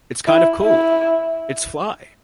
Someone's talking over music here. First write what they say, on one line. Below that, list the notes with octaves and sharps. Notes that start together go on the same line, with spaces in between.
It's kind of cool, it's fly.
E4
E4